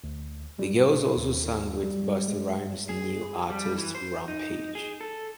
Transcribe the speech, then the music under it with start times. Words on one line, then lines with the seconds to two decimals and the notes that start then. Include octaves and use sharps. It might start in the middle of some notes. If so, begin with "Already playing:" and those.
The girls also sang with Busta Rhymes' new artist Rampage.
0.04 D2
0.59 G3
0.74 A#2
1.16 D#2
1.84 G3
2.28 G#3
2.89 G#4
3.50 G3
3.78 E3
3.95 C5
4.28 D#4
4.75 G#4
5.01 A4